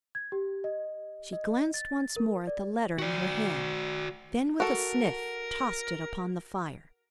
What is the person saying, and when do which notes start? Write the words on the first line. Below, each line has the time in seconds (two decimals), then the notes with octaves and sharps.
She glanced once more at the letter in her hand, then with a sniff tossed it upon the fire.
0.15 G#6
0.32 G4
0.64 D#5
1.33 D#5
1.74 A6
2.16 A#4
2.47 D5
2.98 F#4 D5
4.60 F#4 A4 A#4